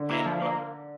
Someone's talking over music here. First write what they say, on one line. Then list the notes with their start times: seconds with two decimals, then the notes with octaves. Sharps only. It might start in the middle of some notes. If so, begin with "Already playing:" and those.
And, you know what?
Already playing: D3
0.09 A#3 E4
0.26 F3
0.42 A#3